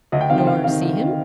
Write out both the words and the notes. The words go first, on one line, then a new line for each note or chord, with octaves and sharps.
"Nor see him?"
D2 D#5
G5
C3 D#3 F5
G5
D2 F5
C3 D#3 F5
D2
C3 D#3